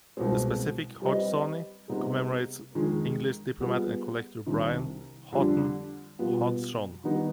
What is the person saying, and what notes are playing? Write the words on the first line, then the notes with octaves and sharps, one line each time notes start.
The specific "hodgsoni" commemorates English diplomat and collector Brian Houghton Hodgson.
C2 B2 G#3 C4
G3 C4 G4 B4 D#5
C3 G3 B3 D#4 G#4
F2 D#3 G#3
G3 B3 F4 G#4
C2 C3 D#3
F2 D3 G3 D4
B2 G3 B3 F4
D#3 G3 B3 D#4